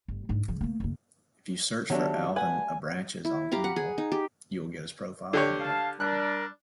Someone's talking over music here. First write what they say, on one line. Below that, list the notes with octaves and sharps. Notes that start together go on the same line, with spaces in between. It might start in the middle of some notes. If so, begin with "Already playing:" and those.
If you search for Alvyn Abranches on Google, you will get his profile only.
G1
G#2 D4
C#2 F3
A3 A#3
F#1 A#3
D#3 F#3 A3 B3 D4 G4
B4 F#5 G#5
E4
G4 F5 A#5 B5
F#5
G#4
D#4
G4
D3 G4 C#5
F5 A5
G3 D4 A#4 F#6